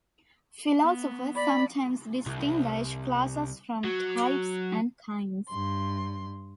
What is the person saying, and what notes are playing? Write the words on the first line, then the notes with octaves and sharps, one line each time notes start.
Philosophers sometimes distinguish classes from types and kinds.
B3
D5 B5
C2
F#3
G2 C6